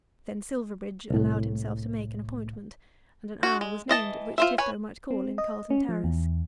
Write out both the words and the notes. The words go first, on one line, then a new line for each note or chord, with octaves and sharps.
Then Silverbridge allowed himself to make an appointment, and an hour was named at which Tifto might call in Carlton Terrace.
C2 A2
D4 F#4
G#3
E3 D#5 A5
F4 C5 E5
B4 C#5 G#5
C4
D#5
C#4
F3
E2